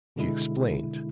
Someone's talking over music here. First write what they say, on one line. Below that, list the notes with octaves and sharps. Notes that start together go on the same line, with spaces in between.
She explained.
B2 D3 G#3 E4